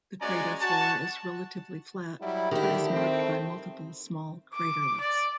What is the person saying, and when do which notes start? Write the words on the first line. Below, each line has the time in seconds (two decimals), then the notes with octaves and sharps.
The crater floor is relatively flat, but is marked by multiple small craterlets.
0.21 G#3 C#4 F#4 D5 G#5 A#5
0.62 F#4 A5
2.21 F#3 G3 E4
2.51 A#2 D3 D#3 E4 G4
2.91 A3 C4
4.54 D6
5.00 D5